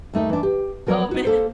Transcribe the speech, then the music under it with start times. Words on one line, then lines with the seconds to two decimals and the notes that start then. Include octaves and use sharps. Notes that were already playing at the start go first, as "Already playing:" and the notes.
Oh, man.
0.13 D#2 A3 D#4 E5
0.29 E3 D4
0.43 G4
0.87 F3 F#3 A#4 B4 C#5 D5
1.11 D#4 F#4
1.25 A#3 A4 C5